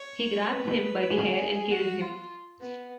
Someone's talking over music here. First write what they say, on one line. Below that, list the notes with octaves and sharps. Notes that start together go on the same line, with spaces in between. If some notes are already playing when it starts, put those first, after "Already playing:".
He grabs him by the hair and kills him.
Already playing: C#5
B4
G#4
F#4
F4
B3